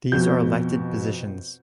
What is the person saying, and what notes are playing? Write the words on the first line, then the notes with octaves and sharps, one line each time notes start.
These are elected positions.
F2 B2 G6